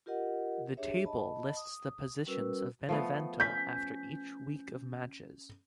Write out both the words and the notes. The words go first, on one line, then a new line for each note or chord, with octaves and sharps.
The table lists the positions of Benevento after each week of matches.
F4 G4 A#4 D#5 F#5
D4 G4 G#4 C#5 E5
D#5 A5 B5
D#6
G3 C#4 F#4 A#4 B4 E6
F3 A3 B3
C#4 G6 B6